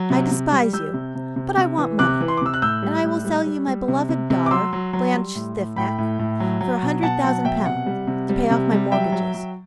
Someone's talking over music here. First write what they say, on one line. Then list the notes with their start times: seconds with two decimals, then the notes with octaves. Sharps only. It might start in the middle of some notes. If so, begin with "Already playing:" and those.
I despise you, but I want money; and I will sell you my beloved daughter, Blanche Stiffneck, for a hundred thousand pounds, to pay off my mortgages.
Already playing: F#3
0.10 C3
0.31 C3
0.52 G3
0.73 G3 E6 G6
0.94 C3
1.15 C3
1.36 C3
1.57 C3
1.78 E3
1.99 C3 D6 F#6
2.21 E3
2.28 C6
2.37 D6
2.42 C3 E6
2.54 F#6
2.62 A2 E6 G6
2.83 G3
3.04 A2
3.25 G3
3.47 G3
3.68 G3
3.88 C3
4.09 C3
4.30 C3
4.46 D6
4.51 F#3 C6 E6
4.73 F#3
4.93 F#3
5.14 G3
5.35 A2
5.57 A2
5.76 A2 G5 B5
5.98 A2
6.19 A2
6.40 F#3
6.61 F#3
6.83 B2
7.03 B2 F#5 A5
7.24 F#3 F#5 A5
7.44 B2 E5 G5
7.66 C3 F#5
7.86 G3
8.07 C3
8.29 G3
8.51 C3
8.71 G3
8.92 F#3 E5 G5
9.12 F#3
9.34 F#3